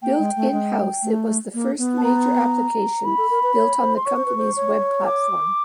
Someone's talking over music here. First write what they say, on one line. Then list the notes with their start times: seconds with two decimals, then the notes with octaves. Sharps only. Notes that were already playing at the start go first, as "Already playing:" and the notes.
Built in-house, it was the first major application built on the company's Web platform.
0.02 A#3 G5
0.18 G#3
0.36 A3
0.52 G#3
1.03 A3
1.54 A#3
1.78 B3
1.98 A5
2.04 A#5
3.05 E4 B5
3.18 A4
3.30 A#4
3.43 B4
3.55 C#5
3.81 C5
3.97 C6
4.05 C#5 C#6
4.16 C5
4.26 B4
4.38 C5
4.57 C#5
5.06 D6